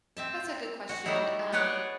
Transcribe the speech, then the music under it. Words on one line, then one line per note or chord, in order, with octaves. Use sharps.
That's a good question, um
C4 E5 A5
F#4
G3 A3 D#4 E4
B3 G#4 B4 C#5 D5 G5